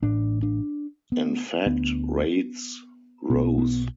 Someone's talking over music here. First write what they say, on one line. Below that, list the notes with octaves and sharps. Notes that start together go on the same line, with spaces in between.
In fact, rates rose.
A1 A2 D4
D4
B3
D2 D3 B3
B1 B2 B3
B3